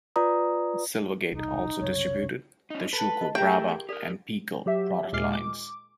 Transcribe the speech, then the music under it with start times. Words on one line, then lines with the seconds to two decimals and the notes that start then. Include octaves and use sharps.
Silvergate also distributed the Schuco, Brawa, and Piko product lines.
0.16 F4 B4 D5 A#5 D#6
1.32 E1 C2 D#4
1.81 C2 F#2 C#3 C#5
2.70 C#4 D#4
2.93 A4 B4
3.21 D#5
3.35 A3 E4 G4 G#4 A#4 G5
3.89 G4 A4 A#4 D5
4.66 F#3 G4 E5
5.13 D#2 A#2 G#3 D6 F6 C7
5.33 D6